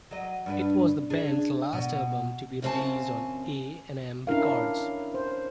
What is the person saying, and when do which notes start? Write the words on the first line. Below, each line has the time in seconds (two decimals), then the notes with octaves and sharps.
It was the band's last album to be released on A and M Records.
0.11 F#3 D#5
0.46 G2 D4 B4
1.10 D4 G#4
1.73 B2
2.62 F#2 C#3 C4 E5 G#5 A5
4.27 C#4 D4 E4 A#4 F5
5.14 C5